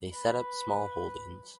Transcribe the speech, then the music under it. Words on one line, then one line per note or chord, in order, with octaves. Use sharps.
They set up smallholdings.
B4